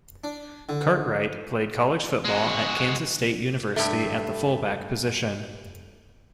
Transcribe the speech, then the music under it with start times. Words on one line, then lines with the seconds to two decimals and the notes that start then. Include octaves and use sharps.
Cartwright played college football at Kansas State University at the fullback position.
0.24 D4
0.69 D3
2.25 G#3 F#4
3.76 G2 A3